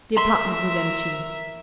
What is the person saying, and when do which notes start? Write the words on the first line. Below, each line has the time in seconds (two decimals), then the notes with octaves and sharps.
The apartment was empty.
0.17 A#4 E5 A#5 C6